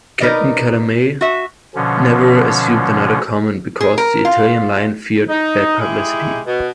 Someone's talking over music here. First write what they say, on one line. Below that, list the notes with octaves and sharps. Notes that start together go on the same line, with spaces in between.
Captain Calamai never assumed another command because the Italian Line feared bad publicity.
D#4 A#4 B4 D5 D#5
F#4 E5
B2 D3 F3 C#4
G#4
A#4
F4
D#4
G#3 D#4 E4 G4 G#4
B2